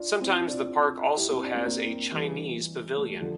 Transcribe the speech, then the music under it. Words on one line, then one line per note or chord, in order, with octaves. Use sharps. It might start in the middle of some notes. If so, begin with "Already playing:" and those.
Sometimes the park also has a "Chinese" pavilion.
Already playing: D4 F4
C4 E4
D4 F4
E4 G4
C4 E4
D4
C4
A#3 D4
E3 G3
A3
G3
D3 F3